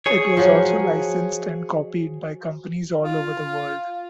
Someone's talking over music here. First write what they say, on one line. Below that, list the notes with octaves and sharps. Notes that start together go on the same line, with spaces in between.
It was also licensed and copied by companies all over the world.
G#4 C#5
F3 F#3
F4